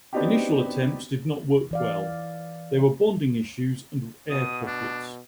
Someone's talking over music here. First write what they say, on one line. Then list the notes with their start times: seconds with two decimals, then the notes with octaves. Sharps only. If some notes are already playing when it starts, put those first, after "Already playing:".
Initial attempts did not work well: there were bonding issues and air pockets.
0.13 B3 C4 D4 D#4 F#4 G4
1.71 E3 D5 F5
4.30 B2 D#6
4.67 D4